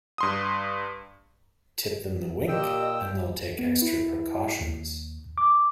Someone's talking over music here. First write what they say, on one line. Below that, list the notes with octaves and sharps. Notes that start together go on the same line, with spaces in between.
Tip them the wink, and they’ll take extra precautions.
G2 C6 D#6
A#2 G4 D#5 G5 E6
B3
E4
D#2
D6